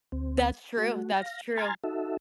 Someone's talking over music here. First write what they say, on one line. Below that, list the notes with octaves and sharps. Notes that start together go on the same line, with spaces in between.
That's true, that's true.
D2 C4
A3 F#4
F5 A#6
G#5 A#5 C6 F6 G#6 A6
D#4 F#4 A4 E5